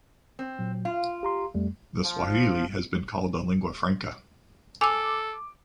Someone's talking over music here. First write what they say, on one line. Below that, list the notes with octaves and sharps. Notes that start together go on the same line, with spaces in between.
The Swahili has been called a lingua franca.
C4
A#2 F#3
F4 F5
G4 A#5 C6
F2 G3 A3
F3
A4 G#5 D6 E6